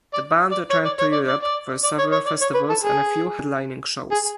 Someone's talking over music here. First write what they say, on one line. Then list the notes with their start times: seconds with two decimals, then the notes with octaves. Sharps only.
The band returned to Europe for several festivals and a few headlining shows.
0.14 D5
0.52 D5
0.71 C#5
0.85 D5
0.99 C#5
1.13 D5
1.28 D5
1.43 D5
1.84 D5
1.99 C#5
2.12 C#5
2.26 D5
2.41 C#5
2.54 B4
2.69 A4
2.84 G#4
4.11 G#4